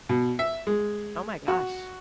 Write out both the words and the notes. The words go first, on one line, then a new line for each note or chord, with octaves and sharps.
Oh, my gosh.
B2
E5
G#3
F#4